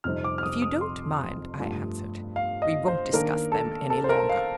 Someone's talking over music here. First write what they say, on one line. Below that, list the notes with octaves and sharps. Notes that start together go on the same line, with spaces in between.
"If you don't mind," I answered, "we won't discuss them any longer."
F2 C3 G3 C4 D#4 F6
D6
F6
D#6
D#6
C6
G2 F3 A3
F5
D#5
C5
D#3 A#3 D4 A#4
A4
A4
C5
A#4
F5